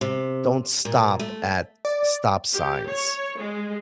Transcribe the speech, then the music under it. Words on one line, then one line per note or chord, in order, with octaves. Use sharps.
don't stop at stop signs,
C3
A#2
A3
D5
G4
C#5
G#3